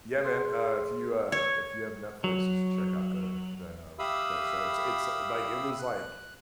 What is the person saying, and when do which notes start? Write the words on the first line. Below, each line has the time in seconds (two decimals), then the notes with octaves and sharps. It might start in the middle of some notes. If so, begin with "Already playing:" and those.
yeah, man, uh, if you, uh if you have Netflix, you should check out the that, um that show. It's a it's, l like it was, like
0.20 G#4 C6
1.32 C#5
2.24 F#3
3.99 G4 E5 F5 B5 D#6 E6
5.79 F#6